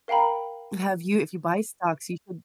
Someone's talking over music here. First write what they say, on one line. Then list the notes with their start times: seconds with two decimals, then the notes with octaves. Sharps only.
Have you if you buy stocks, you should
0.08 A#4 F5 G5 A#5 B5